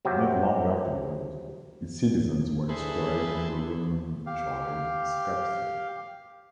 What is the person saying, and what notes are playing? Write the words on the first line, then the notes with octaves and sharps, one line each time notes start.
Not long afterward, its citizens were inscribed in the Roman tribe "Scaptia".
C3 F#3 C4 F4 G4
G2 E4 G#4 A4 B4 C5
G4 F5